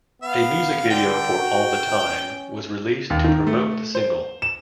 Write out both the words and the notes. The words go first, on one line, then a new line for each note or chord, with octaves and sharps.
A music video for "All the Time" was released to promote the single.
B3 F5
D3 G5
F#4
C#4
D#2
D#3
A3
C5
E7